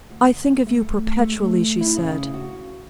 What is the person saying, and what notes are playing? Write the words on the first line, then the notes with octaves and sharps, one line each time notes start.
"I think of you perpetually," she said.
D2
A3
A3
E4
C#3
F#4